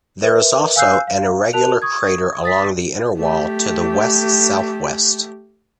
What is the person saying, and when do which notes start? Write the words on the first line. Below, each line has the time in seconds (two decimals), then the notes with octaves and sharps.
There is also an irregular crater along the inner wall to the west-southwest.
0.22 A#4 B4 E5
0.76 F5 G#5 E6 F#6 G6 C7
1.07 F5
1.53 F#4 A#4 A5 F#6 F7
1.82 C#6 D#6 G#6
2.44 D#6 A6 B6
3.18 A3 G4